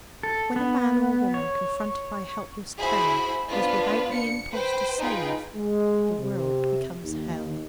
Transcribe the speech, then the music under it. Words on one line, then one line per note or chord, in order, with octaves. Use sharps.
When a man or woman, confronted by helpless terror, is without the impulse to save, the world becomes hell.
A4
B3
C#5
E4 F#4 G#4 C5 B5
B3 C4 D4 F4 B4
C#7
B4 C5 G5
D#4 F4 G#4 B4 G5
G#3
C3
D#2